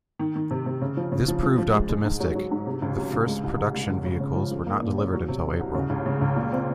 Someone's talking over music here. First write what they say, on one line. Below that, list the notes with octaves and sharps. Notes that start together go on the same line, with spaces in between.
This proved optimistic; the first production vehicles were not delivered until April.
D#3
D#3
C3
C3
C#3
F3
C#3
F3
F3
F3
G#3
G#3
G#2
F#3
F#3
G#2
C3
C#2
F#3
C#2
G#3
C2
C2
G#3
C#2
C#3
C#3
F3
F3
A#3
A#2
C#4
F#3
C3
C3
C2
C#3
C#2
C#3
C#2
A#2
C4